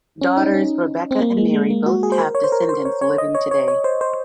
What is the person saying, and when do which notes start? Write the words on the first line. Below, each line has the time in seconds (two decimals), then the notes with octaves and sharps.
Daughters Rebecca and Mary both have descendants living today.
0.21 C#4
0.37 D#4
0.54 C#4
1.11 C4
1.20 A#3
1.37 G#3
1.54 G#3
1.70 A#3
1.86 F#4
2.03 G#4
2.12 C5
2.19 A#4
2.35 C#5
2.44 C5
2.52 A#4
2.69 C5
2.85 C#5
3.01 C#5
3.18 D#5
3.35 C#5
3.51 C#5
3.68 C#5
3.84 C5
4.01 C5